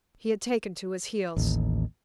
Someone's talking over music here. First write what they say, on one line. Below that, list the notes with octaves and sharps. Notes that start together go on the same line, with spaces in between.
He had taken to his heels.
A1 D#2